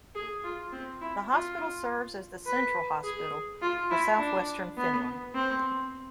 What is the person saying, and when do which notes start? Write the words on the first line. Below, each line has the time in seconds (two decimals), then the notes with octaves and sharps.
The hospital serves as the central hospital for southwestern Finland.
0.15 G#4
0.44 F4
0.73 C4
1.01 E4
1.30 F4
2.46 B4
3.04 G#4
3.61 F4
3.90 E4
4.19 D4
4.77 B3
5.34 C4